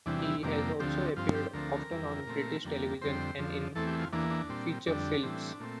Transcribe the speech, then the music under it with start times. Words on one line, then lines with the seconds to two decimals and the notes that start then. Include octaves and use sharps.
He has also appeared often on British television and in feature films.
0.06 E2 C3 E3 G3 D4
0.19 D4
0.24 E4
0.43 F2 C3 G3 A#3 D4
0.80 D2 D3 F3 C4 G4
1.16 G2 F3 C4 F4
1.35 G4
1.53 D2 D3 F3 A3 C4 A#4
1.91 F2 E3 G3
2.27 A#2 A3 C4
2.64 F2 D3 G3 A#3
3.01 F2 D3 G3 C4 C5
3.39 F2 D3 F3
3.75 E2 E3 A3 C4 A4
3.87 G4
4.00 F4
4.13 E2 E3 A#3 D4
4.31 D4
4.49 A#2 G3 C4
4.86 F2 D3 G3 D4
5.23 A2 E3 G3 C4
5.60 A#2 A3 C4